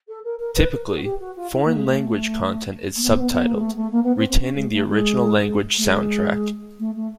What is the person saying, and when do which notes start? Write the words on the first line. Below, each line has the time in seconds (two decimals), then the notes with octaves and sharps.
Typically, foreign-language content is subtitled, retaining the original language soundtrack.
0.08 A4
0.23 A#4
0.39 A#4
0.55 B4
0.71 A#4
0.88 G#4
0.96 F#4
1.03 G4
1.20 F#4
1.36 F4
1.51 E4
1.64 A#3
1.75 G#3
1.87 A3
2.96 A#3
3.02 B3
3.07 A#3
3.15 C4
3.19 B3
3.31 B3
3.43 A#3
3.53 G#3
3.59 A3
3.76 A3
3.91 A#3
4.03 B3
4.16 C4
4.27 C4
4.40 C#4
4.55 G#3
4.71 A3
4.87 G#3
5.77 A3
5.83 G#3
6.79 A3
6.95 A3